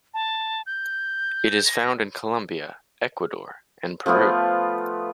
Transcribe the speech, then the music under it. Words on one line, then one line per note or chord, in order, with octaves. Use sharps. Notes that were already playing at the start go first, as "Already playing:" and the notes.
It is found in Colombia, Ecuador and Peru.
A5
G6
A#6
F3 A3 B3 F4